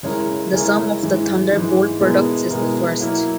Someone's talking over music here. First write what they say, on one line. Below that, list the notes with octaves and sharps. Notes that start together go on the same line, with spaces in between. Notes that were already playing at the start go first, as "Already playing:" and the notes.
The sum of the thunderbolt products is the first.
C#3 G#3 C#4 E4 A#4
C#3 G#3 C#4 E4 A#4
G#2 E3 G#3
G#2 E3 G#3
B2 G#3 B3 E4 A#4
B2 G#3 B3 E4 A#4
F#3 A#3 E4 A#4